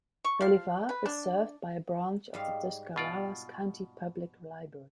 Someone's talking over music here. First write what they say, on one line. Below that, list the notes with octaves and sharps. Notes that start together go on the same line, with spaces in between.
Bolivar is served by a branch of the Tuscarawas County Public Library.
C#6
F3 F5
B4
D4
G#2 G3 F5
B2 F4 D5